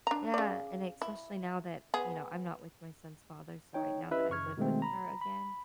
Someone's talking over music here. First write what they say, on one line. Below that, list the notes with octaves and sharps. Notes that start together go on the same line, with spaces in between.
Yeah, and especially now that you know, I'm not with my son's father, so right now that I live with her again,
D4 A#5
C#3 D5
E4
B3 G#4
D#4 C#5 G5
C#4 E4 G4 B4 D#5 E5
F#2 C#3 C#6 F6 G#6
B2 D#3 G#3 A3 C4
A#5 B5
B5